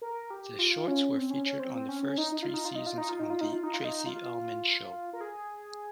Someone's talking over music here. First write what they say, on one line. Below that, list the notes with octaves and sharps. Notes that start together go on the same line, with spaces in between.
The shorts were featured on the first three seasons on "The Tracey Ullman Show".
A#4
G4
F4
C#4
C4
C#4
C#4
C4
C4
C#4
C#4
D#4
D#4
F4
D#4
F4
D#4
F4
D#4
F4
D#4
F4
D#4
F4
D#4
F4
D#4
F4
A#4
G#4